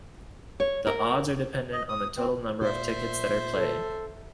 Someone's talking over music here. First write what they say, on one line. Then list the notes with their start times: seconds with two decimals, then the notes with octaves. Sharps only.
The odds are dependent on the total number of tickets that are played.
0.60 C#5
0.87 A#4
1.73 D#5
1.89 D#6
2.17 C4
2.62 A#2 C5 E5
3.54 A4